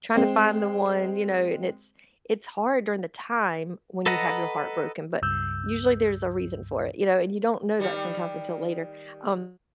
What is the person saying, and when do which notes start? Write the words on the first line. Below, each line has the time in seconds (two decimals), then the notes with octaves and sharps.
trying to find the one, you know, and it's it's hard during the time when you have your heart broken, but usually there's a reason for it, you know, and you don't know that sometimes until later, um,
0.15 G#3 C4
4.06 A4 B4 D#5 F#5 A#5
5.22 C#2 G2 E6 G6
7.80 D#3 G3